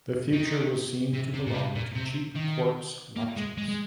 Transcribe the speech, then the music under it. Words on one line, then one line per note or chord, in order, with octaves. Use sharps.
The future was seen to belong to cheap quartz watches.
D#3
C3
C3
A#2
C3
A#2
C3
D#3
A#3
G#3
G#3
G#3